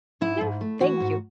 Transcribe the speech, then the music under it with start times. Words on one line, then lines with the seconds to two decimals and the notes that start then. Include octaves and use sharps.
'No, thank you.
0.21 G#2 E4
0.41 G#2
0.61 A3
0.80 E3 F#4
1.00 G#2